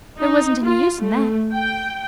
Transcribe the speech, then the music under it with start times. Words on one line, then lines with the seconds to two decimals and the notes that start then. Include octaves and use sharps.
There wasn't any use in that.
0.18 D#4
0.64 F4
1.01 A3
1.53 G5